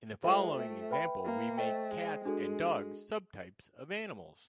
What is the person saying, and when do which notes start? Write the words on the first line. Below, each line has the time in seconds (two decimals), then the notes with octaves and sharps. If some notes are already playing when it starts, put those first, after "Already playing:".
In the following example we make cats and dogs subtypes of animals.
0.23 G#3 F4 A4 C5 E5 G5
0.56 A3
0.91 B4 E5 G5 B5
1.25 A#3
1.58 A3 C5 D#5 G5
1.91 G#3
2.25 G#3 D4 F#4 A4